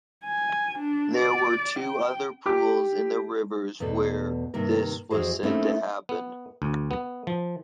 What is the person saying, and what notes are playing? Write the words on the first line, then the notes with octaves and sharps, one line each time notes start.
There were two other pools in the rivers where this was said to happen.
G#5
D4
D5
G5
G4 D6
E2 B2 A3 A4
G2 C3 D#3 A#3 A#4
F2 E3 F#4 G#4 C5
A3 A#3 C4 C#4 D#4 E4
B3
D2
B3
F3